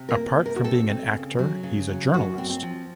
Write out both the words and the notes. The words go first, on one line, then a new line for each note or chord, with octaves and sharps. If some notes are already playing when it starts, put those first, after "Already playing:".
Apart from being an actor, he’s a journalist.
Already playing: C3
A#4
A#3
C3
A#4
F#4
C4 A4
C4
C#3
F#3
C#3
F#3
F#2 F#4
C4
C4
F3